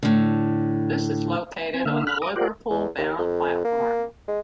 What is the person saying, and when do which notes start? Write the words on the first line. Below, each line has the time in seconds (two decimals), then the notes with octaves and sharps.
This is located on the Liverpool-bound platform.
0.03 A2 D3
1.74 C4 G#5
1.85 D3 A#3 E5 F5
2.07 B5 F6 F#6
2.22 A#5 D6 D#6
2.36 F4 G4 A#4 C5 D5 F#5
2.70 E2
2.98 D#2
3.19 F2
3.65 A#3
4.28 G#3